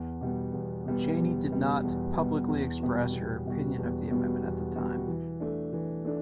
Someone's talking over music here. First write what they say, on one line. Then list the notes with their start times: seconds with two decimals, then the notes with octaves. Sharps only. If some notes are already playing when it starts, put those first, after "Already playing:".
Cheney did not publicly express her opinion of the amendment at the time.
Already playing: E2
0.21 B2 G3 B3
0.53 E2
0.86 B2 G3 B3
1.18 E2
1.50 B2 G3 B3
1.84 E2
2.16 B2 G3 B3
2.48 E2
2.80 B2 G3 B3 F#4
3.13 E2
3.45 B2 G3 B3 F#4
3.78 E2
4.10 B2 G3 B3 F#4
4.44 E2
4.76 B2 G3 B3 F#4
5.08 E3
5.40 A3 D4
5.73 E3
6.05 A3 D4